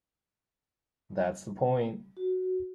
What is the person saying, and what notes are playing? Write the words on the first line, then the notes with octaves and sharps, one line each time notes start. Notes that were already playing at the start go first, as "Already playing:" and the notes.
That's the point.
F#4